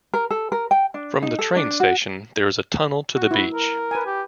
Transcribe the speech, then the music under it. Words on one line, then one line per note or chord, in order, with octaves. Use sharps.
From the train station, there is a tunnel to the beach.
A#4
A4
A#4
G5
D4
D#4
A4
D4
F#4
F#4
E4
A#4
B4 G#5
G4